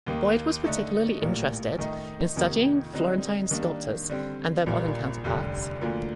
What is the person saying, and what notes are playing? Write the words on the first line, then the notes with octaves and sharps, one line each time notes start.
Boyd was particularly interested in studying Florentine sculptors and their modern counterparts.
D#2 D#3 A#3
D3 A3 D#4 A4
A#1 A2 G3 A#3
D#3 A3 D#4
F2 C3 D#3 A#3
D3 G3 C4 D#4
D#3 G3 A#3 D4
D3 G3 C4
A#1 A#2 G3 A#3
F1 D#2 D3 G3
D2 D3 F3 A#3